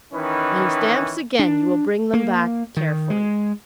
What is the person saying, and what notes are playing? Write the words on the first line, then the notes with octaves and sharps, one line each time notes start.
When he stamps again you will bring them back carefully.'
D#3 E3 C#4 D#4 B4
D4
A#3
D#3
G#3